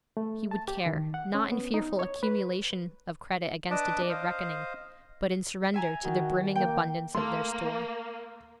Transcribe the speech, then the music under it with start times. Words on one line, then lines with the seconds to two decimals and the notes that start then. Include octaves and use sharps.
He would care, not in fearful accumulation of credit against a day of reckoning, but in surrender to the brimming abundance of their store.
0.17 A3
0.51 A5
0.68 G4
0.86 D#3
1.14 F#5
1.35 C#4
1.52 B3
1.74 D#4
1.99 C#5
2.23 B4
3.71 D4 B4 D5 D#5 A5 D6
4.09 C5 D#5 F5
5.74 E5 G#5 A#5
6.04 D#3 F#4
6.55 A#3 G5
7.14 A3 A#3 C6